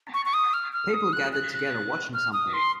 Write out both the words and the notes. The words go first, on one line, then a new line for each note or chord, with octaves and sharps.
People are gathered together watching something.
C#6
C#6
D#6
F6
F6
D#6
F#6
F#6
F#6
F6
D#6
C6